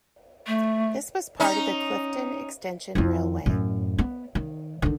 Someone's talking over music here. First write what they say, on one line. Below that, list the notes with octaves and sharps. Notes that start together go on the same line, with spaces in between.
This was part of the Clifton Extension Railway.
A3
C#4 D#4
F2 E4
F#2 A2
B3
D#3
D3 D#3